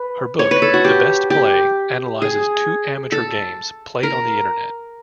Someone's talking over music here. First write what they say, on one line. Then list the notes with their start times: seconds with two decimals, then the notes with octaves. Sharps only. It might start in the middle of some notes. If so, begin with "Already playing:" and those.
Her book, The Best Play, analyzes two amateur games played on the internet.
Already playing: B4
0.39 C#5
0.51 B4
0.62 A4
0.74 F#4
0.85 G4
1.30 G4
2.22 G#4
3.12 A4
4.03 A#4